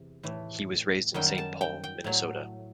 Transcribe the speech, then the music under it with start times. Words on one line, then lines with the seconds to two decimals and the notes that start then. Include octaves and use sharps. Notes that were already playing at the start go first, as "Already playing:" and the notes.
He was raised in Saint Paul, Minnesota.
Already playing: E2 C3
0.23 A2 E3 A3
1.14 F#2 D#3 G3 G5
1.38 A5
1.61 G5
1.84 G5
2.04 A2 F#3 A3